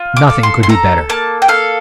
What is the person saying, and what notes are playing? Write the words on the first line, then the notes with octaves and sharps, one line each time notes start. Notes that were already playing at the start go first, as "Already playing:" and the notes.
Nothing could be better.
Already playing: F4
D6
A4
C6
C6
A4 A#5
A#3 A5
G5
A4 F5